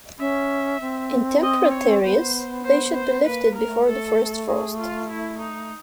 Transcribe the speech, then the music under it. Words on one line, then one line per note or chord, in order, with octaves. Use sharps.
In temperate areas, they should be lifted before the first frost.
C#4 E5
C4
D#5
C#5
B3 C5
C5
C5
A#3 B4
A#3
A#4
A3
A3 A4
G#4
F4
E4
D#4